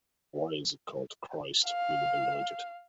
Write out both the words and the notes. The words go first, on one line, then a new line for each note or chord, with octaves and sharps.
Why is he called "Christ," meaning "anointed"?
F5